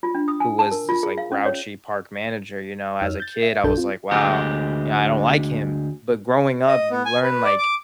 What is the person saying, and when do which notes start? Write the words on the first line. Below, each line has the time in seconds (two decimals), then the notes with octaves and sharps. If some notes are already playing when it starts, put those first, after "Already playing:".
who was this, like, grouchy park manager, you know, as a kid, I was like, "Wow, you know, I don't like him." But growing up, you learn, like,
0.03 F4
0.15 D4
0.28 D#6
0.40 G#5
0.59 A5
0.71 A#4
0.89 F4
1.03 G#4
1.18 F5
1.32 C#4
1.46 C#5
3.01 F2 D#4 C#5 E6 F6
3.20 G6 A6
3.42 E5
3.64 A#1 F#2 D4 A4 A5 G6
3.77 C4 F4
4.11 D2 G#3 G4
6.68 D#5
6.91 B3
7.05 G#5
7.23 B4
7.45 D5
7.58 D6